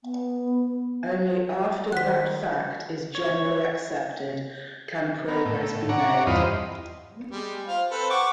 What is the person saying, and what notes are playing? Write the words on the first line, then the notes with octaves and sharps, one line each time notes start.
Only after that fact is generally accepted can progress be made.
B3
D#3 C5 D#5 F#5 F#6 B6
C#5
B3 A#4
A2
C#5 D5 F#5 A#5
E2 G2 F4 C5 D#5 B5
G3 G#3
F4 C5 F5
C4 A4 B4
F#5 C#6 D6